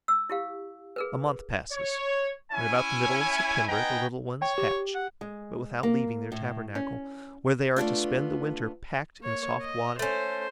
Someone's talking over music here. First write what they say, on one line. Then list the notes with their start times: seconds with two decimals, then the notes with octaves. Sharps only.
A month passes and, about the middle of September, the little ones hatch, but without leaving their tabernacle, where they are to spend the winter packed in soft wadding.
0.08 E6
0.30 E4 G4 F5
0.96 G#4 A#4 B4
1.71 C#5
2.52 C#4 E4 G#5
3.67 B3 D#4 D#5 G5 G#5 A#5
4.42 C#5 G5
4.58 G4
4.95 F#5
5.21 G#3
5.83 A#3
6.32 A2
6.75 C#4
7.76 A3 B3 D4 F4
9.21 A#3 C#5
9.61 D#5
9.99 A3 C#4 C5